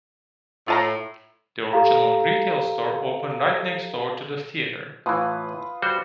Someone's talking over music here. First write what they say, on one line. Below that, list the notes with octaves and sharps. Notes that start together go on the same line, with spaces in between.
The original retail store opened right next door to the theatre.
A2 F4 A5 A#5
G4 A4 F5 A#5
A2 E3 F4 B4 D#6
G3 F#4 C5